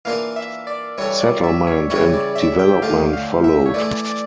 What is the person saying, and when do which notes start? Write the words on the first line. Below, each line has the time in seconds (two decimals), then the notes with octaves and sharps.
Settlement and development followed.
0.05 E3 A#3 D4 F4 A#4 F5
0.36 E5
0.67 D5
0.98 E3 G3 D4 A4 C#5
1.21 D5
1.44 E5
1.67 C#5
1.90 C#3 E3 G3 C#4 E4 C#5
2.13 D5
2.35 E5
2.59 G5
2.82 D3 A3 D4 F4 F5
3.13 F5
3.44 E5
3.66 C#5
3.74 E3 A3 E4 D5
4.05 D5